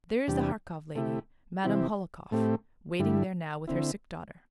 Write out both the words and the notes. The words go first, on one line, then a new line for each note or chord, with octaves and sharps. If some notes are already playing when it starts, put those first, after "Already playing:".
There is a Harkov lady, Madame Hohlakov, waiting there now with her sick daughter.
E2 C3 G3 D4 G4
C3 A3 E4 G4
C3 E3 C4 E4 G4
A2 A3 C4 G4
G2 D3 G3 E4
D3 C4 E4